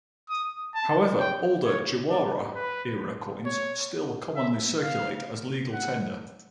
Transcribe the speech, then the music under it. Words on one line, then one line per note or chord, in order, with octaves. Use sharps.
However, older Jawara era coins still commonly circulate as legal tender.
D#6
A5
G5
C#5
D5
B4
C#5
E5
F5
F#5